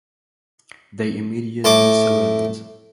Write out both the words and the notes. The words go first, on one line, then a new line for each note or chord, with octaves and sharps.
They immediately surrendered.
A2 A5 D6